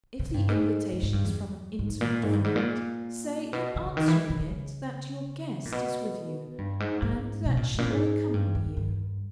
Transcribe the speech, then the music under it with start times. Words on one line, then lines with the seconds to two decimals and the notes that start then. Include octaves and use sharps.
If the invitation is from an intimate friend, say, in answering it, that your guest is with you, and that she will accompany you.
0.19 C#3
0.34 G2
0.49 G#2
0.92 G#2
1.03 G#2
1.13 G2
1.25 E2
1.79 G#2
2.01 A#2
2.23 G#2
2.33 G2
2.44 G#2
2.56 A#2
3.53 B2
3.76 C#3
3.97 D#3
4.08 E3
4.30 C#3
4.40 C#3
5.65 A#2
5.72 B2
6.58 G2
6.80 G#2
7.02 G#2
7.46 B2
7.57 A#2
7.74 G#2
7.78 A#2
7.90 G#2
8.34 G2
8.55 E2
8.77 G2